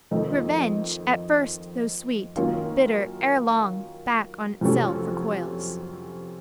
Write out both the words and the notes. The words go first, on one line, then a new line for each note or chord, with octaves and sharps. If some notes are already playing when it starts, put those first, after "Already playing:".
"Revenge, at first though sweet, Bitter, ere long, back on itself recoils."
F2 D#3 A3 D#4
F#2 D#3 A#3 C#4 F4
F2 C3 F#3 A3 C#4